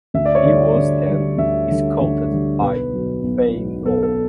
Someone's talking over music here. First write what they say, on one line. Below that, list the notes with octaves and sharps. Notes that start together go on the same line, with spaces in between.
He was then scouted by Feyenoord.
D2 E5
D5
C#5
D3 G3 D5
D2
D3 G3
D2 E5
D3 G3
D2
D3 G3
B1 B4
B2 F#3
B1
B2 F#3
B1 A4
A4